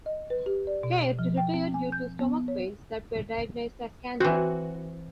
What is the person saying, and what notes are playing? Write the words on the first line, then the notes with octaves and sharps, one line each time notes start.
Caird retired due to stomach pains that were diagnosed as cancer.
D#5
B4
G4
D5
B2
F3
G5
C4
G#5
G6
B3
C#5
E3 C4 F#4